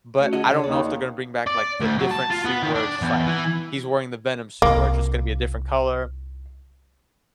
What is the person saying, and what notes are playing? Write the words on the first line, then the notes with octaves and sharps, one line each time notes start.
But I don't know if they're gonna bring back, like, the different suit where it's just, like, he's wearing the Venom suit where it's just gonna be a different color,
A3 C#4 F#4
D2 F#4 G#4 D#5 F#5 A5
C#3 D4 G#4 C#5
D#2 D5
D5
D2
F#3
A5
F4
B3
D#3
D4
E2
E3
C2 A#3 F4